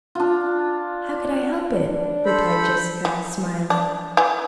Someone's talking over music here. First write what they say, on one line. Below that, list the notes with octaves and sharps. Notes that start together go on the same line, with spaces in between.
"How could I help it?" replied Jessica, smiling.
D4 F4
D4
A4 C5 B5
E3
D4
E3